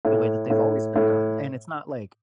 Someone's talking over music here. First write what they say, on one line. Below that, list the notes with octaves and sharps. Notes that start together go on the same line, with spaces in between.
the way that they've always been done?" And it's not like,
A2
A2
A2